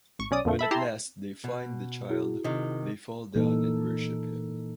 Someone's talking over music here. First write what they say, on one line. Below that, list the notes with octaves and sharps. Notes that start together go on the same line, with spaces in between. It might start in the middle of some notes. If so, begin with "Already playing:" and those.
When at last they find the child, they fall down and worship him.
G#1 C#6
B1 C#4 D5 D#6
F2 A#2 D3 F3 A3
A4 E5 B5
E4 G4 A5 A#5 C6
B2
E4 F#4 G#4
C3 D#3
A#2 E3 A#3 D#4 A4